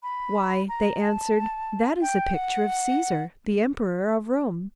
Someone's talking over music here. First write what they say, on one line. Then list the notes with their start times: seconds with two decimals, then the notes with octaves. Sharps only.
"Why," they answered, "that is a picture of Caesar, the emperor of Rome."
0.03 B5
0.69 A#5
1.02 A5
2.02 G5
2.34 F#5